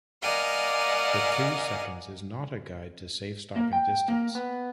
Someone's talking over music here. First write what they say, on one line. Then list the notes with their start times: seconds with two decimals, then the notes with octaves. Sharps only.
The two seconds is not a guide to safe "stopping" distance.
0.21 A#4 D5 D#5 F5 F#5 G#5
3.56 A#3
3.73 G5
4.08 A#3
4.35 B3